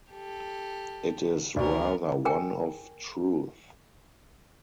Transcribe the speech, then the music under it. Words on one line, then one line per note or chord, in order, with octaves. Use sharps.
It is rather one of "truth".
G4 A4
D2 B3 A#4 D5
A#4 G5 G#5